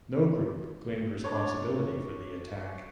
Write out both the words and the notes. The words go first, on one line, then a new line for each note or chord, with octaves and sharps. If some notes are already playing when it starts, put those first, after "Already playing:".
No group claimed responsibility for the attack.
D4 C#5